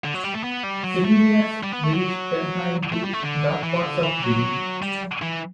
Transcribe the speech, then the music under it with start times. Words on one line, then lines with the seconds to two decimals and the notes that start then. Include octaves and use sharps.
Servilia's rage turns her into dark paths of revenge.
0.05 D3
0.14 F#3
0.24 G3
0.34 A3
0.44 B3
0.63 G3
0.84 F#3
1.04 A3
1.63 G3
1.73 B3
1.84 A3
1.93 F#3
2.93 A3
3.03 G3
3.13 A3
3.23 D3
3.63 E3
3.83 D3
4.03 E3
4.22 F#3
4.83 G3
5.22 E3